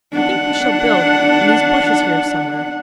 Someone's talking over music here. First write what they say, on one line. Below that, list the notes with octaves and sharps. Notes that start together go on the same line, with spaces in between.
I think we shall build in these bushes here somewhere.
D4 F#5